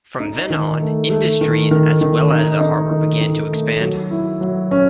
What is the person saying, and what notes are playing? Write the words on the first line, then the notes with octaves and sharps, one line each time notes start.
From then on, industries as well as the harbour began to expand.
D#4
D#3
A3
A3
D#3
D#3
D#3
D#4
D#4
D#3
D#3
A3
F#3
E4
F#3
C#4